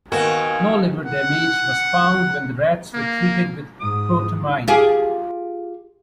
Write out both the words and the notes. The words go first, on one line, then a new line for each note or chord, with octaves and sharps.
No liver damage was found when the rats were treated with protamine.
D#2 D#3 B3 F#4 A#4 G#5
F#5
A#3
G#2 D#6
F4 G4 G#4